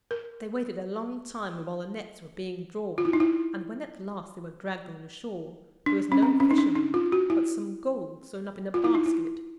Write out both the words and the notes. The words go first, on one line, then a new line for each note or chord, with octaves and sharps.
They waited a long time while the nets were being drawn, and when at last they were dragged on shore, there was no fish in them, but some gold sewn up in a basket.
A#4
F4
E4
D#4
E4
D4
C#4
C4
C#4
D#4
D4
D#4
F4
F#4
E4
F4
E4
D#4
E4